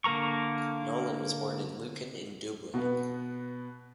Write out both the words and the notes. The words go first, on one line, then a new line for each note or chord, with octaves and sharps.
Nolan was born in Lucan in Dublin.
D3 A#3 A#4 A#5 C#6
B2 B3